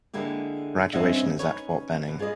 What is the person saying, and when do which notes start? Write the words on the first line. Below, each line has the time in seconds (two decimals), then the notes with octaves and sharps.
Graduation is at Fort Benning.
0.14 D3 G#3 A#3 E4 G4
0.93 G2 C4 C#4 D#5 E5 F#5
1.39 C#4 D#4 B4 C#5
2.08 B2
2.19 F4 G#4 B4 D5 D#5